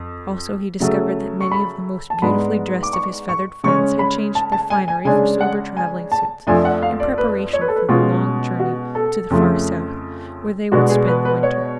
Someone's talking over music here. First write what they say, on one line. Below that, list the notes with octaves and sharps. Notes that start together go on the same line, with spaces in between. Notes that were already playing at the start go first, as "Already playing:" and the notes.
Also he discovered that many of the most beautifully dressed of his feathered friends had changed their finery for sober traveling suits in preparation for the long journey to the far South where they would spend the winter.
Already playing: F2
C#3 F#3 A3
C#6
B5
A5
G#2 G#3 B3 D4 B5
D6
C#6
C#6
C#3 G#3 C#4 C#6
B5
A5
A5
G#5
G#5
C#3 G#3 D4 G#5
F#5
G#5
A5
F2 F3 A3 D4 G#5
F#5
F5
D5
B4
C#5
B4
A4
B4
B2 G#3 C#4 F4
F#4
A4
F2 C#3 F3 A3
B2 G#3 B3 D4 F#4
G#4
B4
B4
C#5